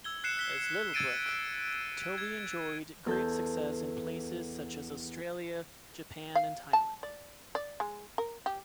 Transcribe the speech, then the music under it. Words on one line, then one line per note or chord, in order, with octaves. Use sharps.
As Littlebrook, Tovey enjoyed great success in places such as Australia, Japan and Thailand.
E6 G#6 G7
F#6 C7 C#7 E7
F#6 B6 G7
E6 G#6 A6 D7 D#7
G#6
E2 A4 G6
F5
A5
D5
D5
G#3
A#4
G4